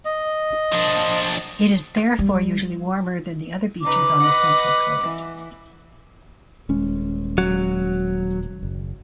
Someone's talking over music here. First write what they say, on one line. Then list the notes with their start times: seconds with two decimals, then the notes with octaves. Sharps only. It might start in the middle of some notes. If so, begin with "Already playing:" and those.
It is therefore usually warmer than the other beaches on the Central Coast.
0.05 D#5
0.72 F3 D4
2.19 G3
3.82 C#3 D#4 B4 D6
4.20 B4 D#5 F#5
5.04 E3
6.69 D#1 G#3 C#4
7.38 F#3
8.63 F#1